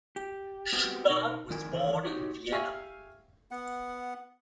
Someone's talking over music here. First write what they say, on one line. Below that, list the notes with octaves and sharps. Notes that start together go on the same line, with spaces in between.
Schuba was born in Vienna.
G4
B3 C4 F#4 G4
B2 D#4 A#4
F2 D#3 E4 A#4 G#5
D#3 E3 A4 A#4
D#4 F#4 G4 C#5
G4 E5 F5 G#5 C#6
B3 F#5